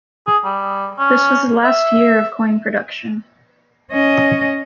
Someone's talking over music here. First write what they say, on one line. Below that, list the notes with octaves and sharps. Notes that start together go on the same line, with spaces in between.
This was the last year of coin production.
G#4
G3
C#4
E5
C#4 D#5